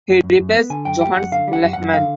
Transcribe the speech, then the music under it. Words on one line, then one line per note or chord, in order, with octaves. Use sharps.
He replaced Johannes Lehman.
F#2
F#2
F#2
B3
D3 G#5
F#2 G5
G3 G5
F#2 F#5
D3 F5
G3
F#5
F#2
F#2 F#5
D3 F5